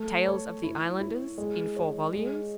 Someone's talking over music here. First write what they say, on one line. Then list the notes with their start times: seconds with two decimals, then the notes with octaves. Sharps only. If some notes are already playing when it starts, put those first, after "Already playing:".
Tales of the Islanders, in four volumes.
Already playing: A3
0.26 C#5
0.63 E4
1.00 E4
1.38 G#3
1.76 C#5
2.13 G#3